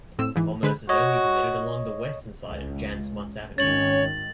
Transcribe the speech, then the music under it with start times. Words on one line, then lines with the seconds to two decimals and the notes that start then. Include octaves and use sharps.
Commerce is only permitted along the Western side of Jan Smuts Avenue.
0.19 A2 C4 E6
0.36 G#2 E3
0.63 D3 G#3 B4
0.89 F#4 C#5 D#5
2.45 C#2
3.58 G#1 D#3 C#4 C#5 A6 F#7